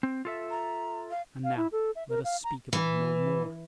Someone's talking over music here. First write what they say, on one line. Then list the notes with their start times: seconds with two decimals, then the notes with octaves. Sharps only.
And now let us speak of it no more.
0.03 C4
0.25 F4 A4 E5
0.50 A#5
1.11 F5
1.44 F5
1.57 E4
1.72 A4
1.96 E5
2.09 A#4
2.24 F5
2.44 A#5
2.73 E3